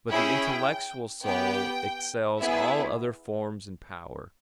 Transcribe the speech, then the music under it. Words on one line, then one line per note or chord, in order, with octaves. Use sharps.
But the intellectual soul excels all other forms in power.
C#4 E4 G#4 G5
B3 G4 G5
B3 E4 G#4 E5